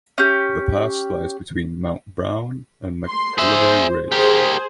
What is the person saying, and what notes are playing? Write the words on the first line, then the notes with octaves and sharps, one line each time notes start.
The pass lies between Mount Brown and McGillivray Ridge.
C#4 G4
C6
G#4 C5 E5
G4 G#4 A#4 C5